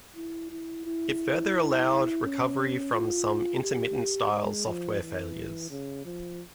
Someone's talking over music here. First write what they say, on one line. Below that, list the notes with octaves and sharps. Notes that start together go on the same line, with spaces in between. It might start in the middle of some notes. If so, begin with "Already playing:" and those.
It further allowed recovery from some intermittent-style software failures.
E4
E4
E4
C#4
F4
G4
G#3
F3
E3
C#3
F3